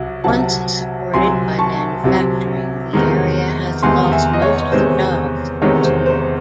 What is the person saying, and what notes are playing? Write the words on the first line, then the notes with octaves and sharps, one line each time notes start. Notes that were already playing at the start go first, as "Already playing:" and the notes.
Once supported by manufacturing, the area has lost most of jobs in this field.
Already playing: C2 F#3
C2 C3 F#3 F#5 A5
C2 C3 F#3 G#5 C6
A5 C#6
C2 C3 F#3
E2 C3 D#3 G#3 D#4
E2 C3 D#3 G#3 D#4 G#5 C6
E5 G#5
D#5
C#5
E2 C3 D#3 G#3 D#4 C5
E2 C3 D#3 G#3 D#4 C#5
C5
C5